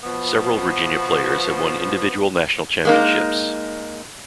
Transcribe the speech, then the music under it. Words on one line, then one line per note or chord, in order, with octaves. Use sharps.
Several Virginia players have won individual national championships.
B2 F3 B3
G#3 A#3 D#4